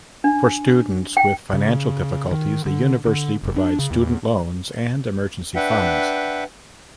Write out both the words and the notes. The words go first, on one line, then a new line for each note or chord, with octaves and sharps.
For students with financial difficulties, the university provides student loans and emergency funds.
D4
G5
C#3
D#3
D3
D3
F1
D4
C#3
E2
D4 B4 E5 F#5 G5